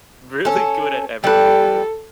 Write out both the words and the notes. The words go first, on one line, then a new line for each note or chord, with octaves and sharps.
really good at everything.
C#4 A4
G3 A4 B4